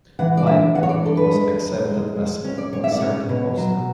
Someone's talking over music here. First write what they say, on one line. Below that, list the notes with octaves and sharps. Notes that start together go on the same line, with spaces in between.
Finally it was accepted as an inserted poster.
E3 F#5
D5
D4 E5
E3 F#5
C#5
D5
D4 A4
B4
G#3
F#2
G#3
G#3
C#4 C#5
D5
B2 C#5
E5
D5
C#4 C#5
B2
F#3